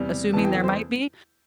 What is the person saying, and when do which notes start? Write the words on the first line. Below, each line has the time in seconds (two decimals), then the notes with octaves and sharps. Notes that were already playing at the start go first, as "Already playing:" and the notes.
assuming there might be,
Already playing: E2 C3 G3
0.33 E2 C3 E3 A5
0.44 G5
0.54 A4
0.64 C5